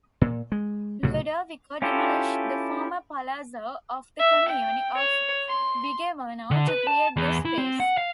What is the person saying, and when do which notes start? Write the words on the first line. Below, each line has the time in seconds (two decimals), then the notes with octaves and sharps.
Ludovico demolished the former palazzo of the commune of Vigevano to create the space.
0.21 A#2
0.52 G#3
1.03 C2 A2 C#3 F#3
1.82 C#4 E4 F4 G4 A4
4.19 E5
4.49 G5
4.98 C#5
5.48 C6
6.51 D3
6.68 B4
6.87 A5
7.17 E2
7.45 E4
7.58 C4
7.80 F#5
7.97 F5